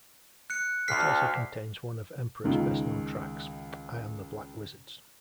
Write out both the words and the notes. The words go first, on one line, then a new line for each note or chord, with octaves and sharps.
It also contains one of Emperor's best known tracks, "I Am the Black Wizards".
F#6 C#7
D2 F6 B6 C7
C#2 D#3